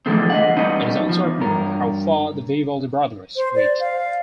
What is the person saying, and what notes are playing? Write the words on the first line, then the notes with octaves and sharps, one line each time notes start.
It is uncertain how far the Vivaldi brothers reached.
D3 E3 F3 G#3 A3 C4
D#5 E5 F#5
G3 B3 C#4 D#4
F3
E2
G2 A#4
C5
D5
F5